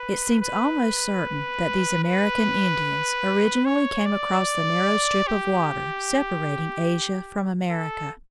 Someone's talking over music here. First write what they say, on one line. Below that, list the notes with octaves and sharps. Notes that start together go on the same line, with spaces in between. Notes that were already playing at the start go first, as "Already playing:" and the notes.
It seems almost certain that these American Indians originally came across the narrow strip of water separating Asia from America.
Already playing: B4
B4
B4
C#5
D5
G4
A4